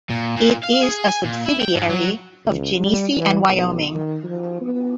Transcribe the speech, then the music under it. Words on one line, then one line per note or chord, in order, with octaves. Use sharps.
It is a subsidiary of Genesee and Wyoming.
A#2
A#2
F5
G#4
G#5
A#2
E4
G5
G#2
F#3
C#2
G3
E3
B1
D#3
F3
B3